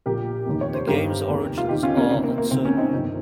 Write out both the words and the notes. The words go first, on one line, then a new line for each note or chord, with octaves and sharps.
The game's origins are uncertain.
A#1 A#2 G4 A#4
F1 D#2 D#3
C#5
C5
G1 G2 D#3 G4 A#4
F1 D#2 D#3
F4
D#2 D#3 D#4 G4
C#4 F4
A#3 C#4
C#2 C3 D#3 C4
A#3
A#3
C2 C3 D#3 C4
A#3 C#4
C4 D#4
G1 F2 C3 D#3